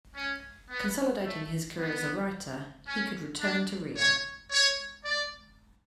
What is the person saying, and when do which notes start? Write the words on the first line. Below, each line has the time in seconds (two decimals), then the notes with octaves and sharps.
Consolidating his career as a writer, he could return to Rio.
0.15 C#4
0.70 B3
1.24 A3
1.78 B3
2.88 C#4
3.42 D4
3.96 C#5
4.51 C#5
5.05 D5